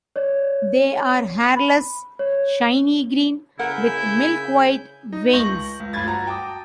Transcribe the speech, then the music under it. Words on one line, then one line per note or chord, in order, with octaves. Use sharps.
They are hairless, shiny green, with milk-white veins.
C#5 D5
B5
C#5
C#3 E4 A#4 F#5 G#5 G6
D#4
C#2 C#6 G6 A#6 F#7
C#2
G1 D2 F4 B5 G#6 A6
F#4 A#5
G5 A5 D6 D#6